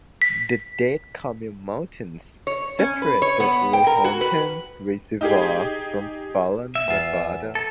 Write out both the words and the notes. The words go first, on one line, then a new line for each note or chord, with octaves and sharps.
The Dead Camel mountains separate the Lahontan Reservoir from Fallon, Nevada.
B6
C#5
C#4
B4
C#5
B3
G5
A#4
F#4
B4
D#4 G4 G#4
E5
E2 F4
A4